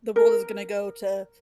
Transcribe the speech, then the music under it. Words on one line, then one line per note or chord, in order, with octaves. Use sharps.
the world is gonna go to
A#4